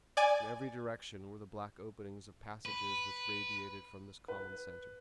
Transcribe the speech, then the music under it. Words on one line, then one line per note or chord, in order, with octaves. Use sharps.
In every direction were the black openings of passages which radiated from this common centre.
D5 G#5
B4
B4